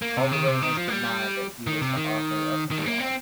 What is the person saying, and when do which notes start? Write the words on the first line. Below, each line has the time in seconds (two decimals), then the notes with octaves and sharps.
Holloway has denied that he was the author of the blog.
0.02 A#3
0.17 C3
0.32 D#3
0.48 C3
0.62 D#3
0.77 F3
0.88 A#3
0.92 G3
1.67 D#3
1.82 C3
1.96 D#3
2.71 D#3
2.78 G3
2.86 A#3
3.00 C4